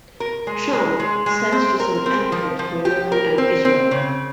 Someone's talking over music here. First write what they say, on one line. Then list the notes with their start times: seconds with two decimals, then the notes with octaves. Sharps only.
Trump says she is an advocate for women and Israel.
0.20 A#4
0.47 G#3
0.73 G#3
1.00 G#3
1.26 G#3
1.52 C4
1.80 A#4
2.06 C4
2.32 F3
2.59 F3
2.85 G4
3.12 A#4
3.38 C4
3.65 C4
3.91 C#3